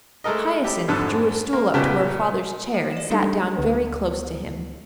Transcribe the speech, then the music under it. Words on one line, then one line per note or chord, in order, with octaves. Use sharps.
Hyacinth drew a stool up to her father's chair and sat down very close to him.
G#3 A3 A4 A#4 D#5
G4 A4
G#1 F2 G#2 D3 A4 F#6
A#3
A#2 C#3 B3 G4 A5
A#3
D5 E7
G3 G#3 D4 D#4 G4 A4
D2 B3